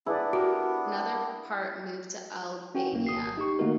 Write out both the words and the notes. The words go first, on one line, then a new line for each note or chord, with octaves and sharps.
Another part moved to Albania.
B3 D4 E4 G#4 B4 D5
F#4 G4 A#4
C#4 F#4 G5
B1 A#3
G#1 D#6 C7
D#4 G4 C#6
D#3 A3 A#3 D#4 F#4 A#4